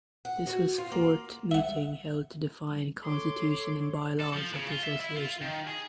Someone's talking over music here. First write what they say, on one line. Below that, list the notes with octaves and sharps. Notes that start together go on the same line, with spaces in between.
This was fourth meeting held to define constitution and bylaws of the association.
F#5
F#4
F4
A#3
E5 F#5
A4 C#5 C6 D6
A4
F3
C#3
F4
E5
E4
F4
D#3
G#4